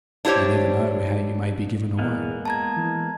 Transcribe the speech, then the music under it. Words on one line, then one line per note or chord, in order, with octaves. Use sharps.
You never know how you may be given away.
D4 E4 G4 C5 C#5
E2 G#3 A#3 B3
A5 A#5 G#6
E3